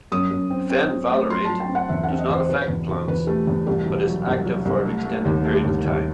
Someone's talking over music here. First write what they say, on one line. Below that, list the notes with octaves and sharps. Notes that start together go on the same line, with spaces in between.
Fenvalerate does not affect plants, but is active for an extended period of time.
F#2 D#6
F#2
C4
C4
F#3
A3
F#3 C6
F#3 A5
G5
C4
F#5
E2 E5
F#5
C4
D#5
E2 C5
B2 B4
E2
B2
E2 B4
A3 G4
E2
C2 G4
B2
F#3
C2
F#3
C2
A3
A3
D#2
A3
D#2
D#2